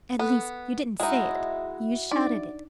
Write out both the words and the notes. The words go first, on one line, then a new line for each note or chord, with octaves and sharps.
"At least--you didn't say it--you shouted it!"
B3 A4
G#3 D#4 E4 F#4 E5
D4 D#4 D5